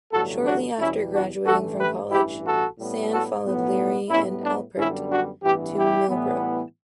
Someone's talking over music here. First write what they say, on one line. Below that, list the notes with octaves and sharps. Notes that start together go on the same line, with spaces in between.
Shortly after graduating from college, Sand followed Leary and Alpert to Millbrook.
A1 G2 D3 F#3 A3 F#4 A4
D4 F#4
E2 B2 G3 C#4 E4
D4 F#4
A1 G2 E3 A3 F#4 A4
G4 B4
A1 G2 E3 E4 G4
F#4 A4
A2 G3 B3
F#4 A4
B1 A2 F#3 B3
A2 G3 B3 C#4 E4
D4
F#2 D3 G3 B3 C#4 E4
D4 F#4
A1 G2 E3 B3 E4 G4
E4 G4
A2 E3 G3 B3